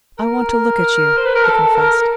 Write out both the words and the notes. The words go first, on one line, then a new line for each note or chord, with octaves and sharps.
"I want to look at you," he confessed.
A#4
C5
B4
A#4
A4
A#4
A#4